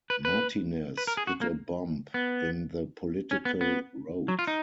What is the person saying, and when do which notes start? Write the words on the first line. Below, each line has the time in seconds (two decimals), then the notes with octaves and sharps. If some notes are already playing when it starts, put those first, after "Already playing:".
Martinez hit a bump in the political road.
0.10 B4
0.25 B4
0.98 B4
1.07 A#4
1.17 G#4
1.27 F#4
1.41 A#3
2.14 B3
3.31 C#4
3.45 B3
3.61 B3
4.28 F#3
4.39 F4
4.47 D#4